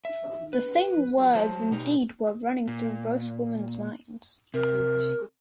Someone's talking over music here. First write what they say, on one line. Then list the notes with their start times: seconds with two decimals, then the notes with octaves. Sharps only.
The same words, indeed, were running through both women's minds.
0.05 E5
0.53 B4
1.35 F#3 C5 A5
1.71 B2 D#4 G4
2.68 A#2
4.54 C3 A#4